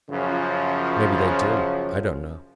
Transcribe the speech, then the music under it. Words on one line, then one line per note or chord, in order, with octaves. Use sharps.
Mebby they do; I don't know.
F#2 C#3 F3